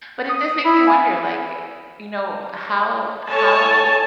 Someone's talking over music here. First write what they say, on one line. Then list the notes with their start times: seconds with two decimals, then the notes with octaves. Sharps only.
But it does make me wonder, like, you know, how how
0.29 D#6
0.65 E4 B5
0.87 G#5
3.28 A4 C#5 G#5 A5